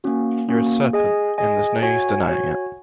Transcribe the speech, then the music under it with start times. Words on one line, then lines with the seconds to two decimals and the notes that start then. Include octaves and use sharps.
You’re a serpent; and there’s no use denying it.
0.04 A#3 C#4 F#4
0.48 A#3 C#4 F#4
0.93 G#4 D#5 G#5
1.38 G#4 D#5 G#5
1.83 F#4 C#5 G#5
2.27 F#4 C#5 G#5